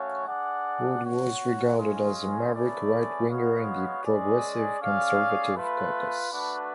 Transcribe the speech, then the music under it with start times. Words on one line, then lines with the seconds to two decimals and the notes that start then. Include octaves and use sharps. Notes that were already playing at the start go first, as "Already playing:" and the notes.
Wood was regarded as a maverick right-winger in the Progressive Conservative caucus.
Already playing: A3 C#4 F#4 C#5 F5
0.25 D4 G#4 D5 F#5
1.02 F#4 C#5 F#5
1.77 G#3 C#4 F4 G#4
2.52 A3 C#4 G#4 B4 D5
3.28 G#3 B3 F#4 C#5 F5
4.03 G#3 C#4 G#4 D5
4.80 C#4 G#4 D5 F5
5.54 A3 F4 B4
6.30 A3 D4 F#4 B4